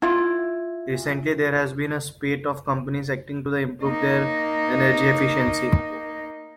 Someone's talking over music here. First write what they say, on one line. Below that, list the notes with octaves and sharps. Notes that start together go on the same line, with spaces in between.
Recently there has been a spate of companies acting to improve their energy efficiency.
E4 F4
A#3 D#4